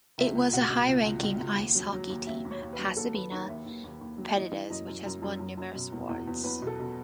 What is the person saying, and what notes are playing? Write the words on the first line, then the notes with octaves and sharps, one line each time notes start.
It has a high-ranking ice hockey team, Pasadena Predators, which has won numerous awards.
C#2 E5
C#2
B2 F#5
B2
C#2
C#2
C#2
C#2
D#2
F#3
F#3
D#2
D#2 E5
D#2
C#5
D#2
B4
F#3
D#2 A4
D#2 B4
D#3 C#5
D#2 E5
D#2
D#2
D#2
F#3
E3 D#5
E3
F#2 D#5
F#2
F#2
F#2
F#2
F#2
B2
E2
E2
E2
E2 B4
B2 A4
B2